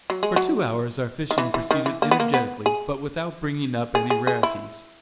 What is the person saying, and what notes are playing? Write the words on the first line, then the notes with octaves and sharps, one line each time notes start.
For two hours our fishing proceeded energetically but without bringing up any rarities.
F#3
G#3
F#3
D#3
E3
E3
D#3
E3
A#3
B3
A#3
B3
G#4
G#4
G#4
G#4
E4